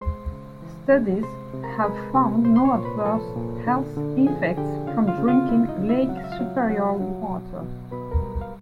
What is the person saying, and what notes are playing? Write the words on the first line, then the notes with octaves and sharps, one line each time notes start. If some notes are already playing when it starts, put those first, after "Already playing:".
Studies have found no adverse health effects from drinking Lake Superior water.
G#3 C5 C6
C#3
E3
G#3
C3 C5 C6
C3
A#4 A#5
G#3 B4 B5
C3
A#2 C5 C6
C6
C#5 C#6
A#2
B4 B5
F3 A4 A5
A#2
D3
D3
F3 G#4 G#5
D3 G4 G5
C#3 F4 F5
F4 F5
C#3
F4 F5
G#3 E4 E5
D#4 D#5
C#3
E4 E5
F#3 F#5
F5
E5
F4 F5
F#3
F#3 F#4 F#5
F#3
B2
B2
B2 B4 B5
A#4 A#5
G3
F5